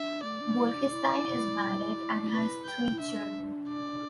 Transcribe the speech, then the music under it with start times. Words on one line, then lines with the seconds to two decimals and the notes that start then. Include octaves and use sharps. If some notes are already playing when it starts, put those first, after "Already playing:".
Bolkestein is married and has three children.
Already playing: D4 E5
0.23 A3 D5
0.41 D4
0.58 E4
0.75 D4
0.92 E4
2.31 B4
2.65 G5
2.92 E4
3.00 D4 E5
3.69 D5